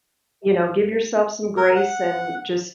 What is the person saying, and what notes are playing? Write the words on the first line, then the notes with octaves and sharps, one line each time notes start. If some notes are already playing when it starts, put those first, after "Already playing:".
you know, give yourself some grace and just
A#4
F#5